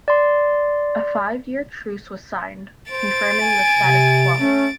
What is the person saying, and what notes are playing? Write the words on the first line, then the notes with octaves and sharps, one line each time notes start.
A five-year truce was signed, confirming the status quo.
D5 C6
C5 A6 D7
G#5
C3
A3 C#4